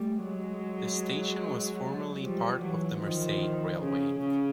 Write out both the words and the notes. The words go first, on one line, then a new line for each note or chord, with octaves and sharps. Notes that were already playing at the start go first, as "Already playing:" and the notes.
The station was formerly part of the Mersey Railway.
Already playing: G3 A3
F#3 G#3
F3 G3
E3 F#3
D#3 F3
C#3
C#3